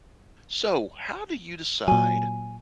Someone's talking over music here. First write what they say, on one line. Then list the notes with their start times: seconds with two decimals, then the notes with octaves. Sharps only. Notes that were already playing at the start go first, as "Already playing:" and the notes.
So, how do you decide
1.88 A#2 F#3 G#5